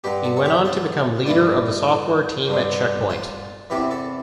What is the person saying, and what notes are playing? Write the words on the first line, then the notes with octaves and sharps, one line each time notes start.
He went on to become leader of the software team at Check Point.
G2 D3 G4
A4
A4
G4
F4
G2 E3 F4
G2 D3
F4
E2 C3 E3 G4
A4